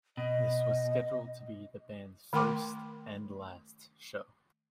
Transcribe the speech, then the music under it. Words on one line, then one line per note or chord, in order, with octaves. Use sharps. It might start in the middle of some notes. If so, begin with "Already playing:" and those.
This was scheduled to be the band's first and last show.
B2 D#5
D#3 A3 A#4 G5 C6 D6